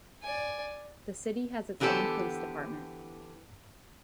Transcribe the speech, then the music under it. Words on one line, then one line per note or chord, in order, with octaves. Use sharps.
The city has its own police department.
D5 G#5
D3 E3 B3 G4 A4 C5